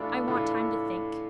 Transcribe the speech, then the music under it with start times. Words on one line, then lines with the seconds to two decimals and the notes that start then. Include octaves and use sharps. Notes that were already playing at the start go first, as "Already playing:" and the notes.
"I want time to think."
Already playing: A2 E3 A3 D4 F4
0.28 A2 E3 A3 D4 F4